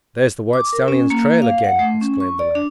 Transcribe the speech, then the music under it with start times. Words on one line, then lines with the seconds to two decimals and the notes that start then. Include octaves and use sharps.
"There's the white stallion's trail again," exclaimed the lad.
0.53 D6
0.73 A#4
0.88 C#4
1.10 A#3
1.42 F5
1.64 F#5
1.79 A3
2.01 C#4
2.20 C#6
2.39 D5
2.55 D4